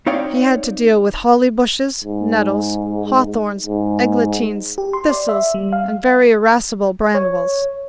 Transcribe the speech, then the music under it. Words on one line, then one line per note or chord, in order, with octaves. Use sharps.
He had to deal with holly bushes, nettles, hawthorns, eglantines, thistles, and very irascible brambles.
C4 D#4 C#5 D5 F5 G5
G#2
G#2
G4
C6
D5
E5
G3
F5
C#5